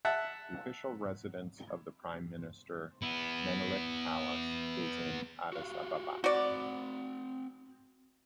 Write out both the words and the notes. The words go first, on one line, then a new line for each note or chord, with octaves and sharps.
The official residence of the prime minister, "Menelik Palace" is in Addis Ababa.
E5 F#5 A5
B3 E4
F#4 G4 F5
C4 F#4 D5 F#5